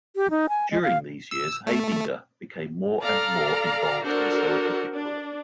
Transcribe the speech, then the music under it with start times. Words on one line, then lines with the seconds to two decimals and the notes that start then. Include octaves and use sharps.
During these years Haidinger became more and more involved in scientific work.
0.16 G4
0.30 D#4
0.49 G#5
0.71 G#3
0.83 F5
1.31 E6
1.67 A3
3.02 A4 D5 F5 A#5
4.04 D4 F#4 A4 A#4 C5
4.92 D4